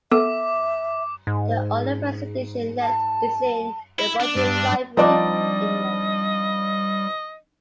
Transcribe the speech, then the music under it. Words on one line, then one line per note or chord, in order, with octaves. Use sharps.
The only first edition left is in the Bodleian Library in England.
B3 A4 E5 D6
G#2
A5
E4
D4
G2
F3 G3 C4 D4 D#4 D5 D#5 D6